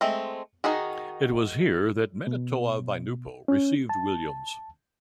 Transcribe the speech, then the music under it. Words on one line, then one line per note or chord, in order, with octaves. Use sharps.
It was here that Malietoa Vaiinupo received Williams.
G#3 A3 C4
D#3 D#4 F#4 G#4
B2
C#4
A5